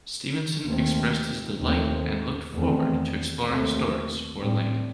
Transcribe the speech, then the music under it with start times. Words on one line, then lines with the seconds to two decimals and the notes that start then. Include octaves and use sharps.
Stevenson expressed his delight and looked forward to exploring stories for Iain.
0.67 D#2 D#3 A3 C4
1.60 D#2 D#3 A3 C4
2.54 E2 D#3 A3 C4
3.47 D#2 D#3 A3 C4
4.40 A2 G3 C4